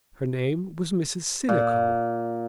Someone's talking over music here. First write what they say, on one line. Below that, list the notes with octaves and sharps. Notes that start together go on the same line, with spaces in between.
Her name was Mrs. Sinico.
A#2